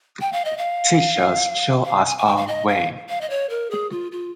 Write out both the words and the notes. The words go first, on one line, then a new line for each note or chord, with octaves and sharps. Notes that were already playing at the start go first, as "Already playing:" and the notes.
Teachers show us our way.
G5
F5
D#5
F5
F5
G#5
G#5
G5
F5
D#5
F5
F5
D#5
C#5
A#4
G#4
F4
F4